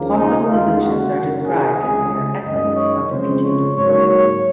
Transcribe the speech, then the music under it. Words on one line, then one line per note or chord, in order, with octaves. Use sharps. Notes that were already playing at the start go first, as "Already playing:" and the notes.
Possible allusions are described as mere echoes of their putative sources.
Already playing: D#2 C#3 F3 A#3
D#4
D#2 C#3 G#3 F4
F#4
F#1 F#2 D#3 F#3
G#4
C#2 C#3 G#3 C4 G#4
F#2 D#3 G#3 D#5
C#5
F2 C#3 G#3 C4 C5
C#5
G#2 F#3 A#3 C#5
C#5